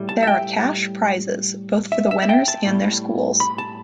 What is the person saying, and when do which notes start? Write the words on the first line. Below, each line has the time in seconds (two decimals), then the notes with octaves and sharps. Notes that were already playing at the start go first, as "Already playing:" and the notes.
There are cash prizes, both for the winners and their schools.
Already playing: A2 G3
0.09 A5
0.23 E5
0.27 G5
1.92 E5
2.11 E5
2.22 E5
2.29 G5
2.48 A5
2.66 A2 G3 B3
3.40 B5
3.58 A5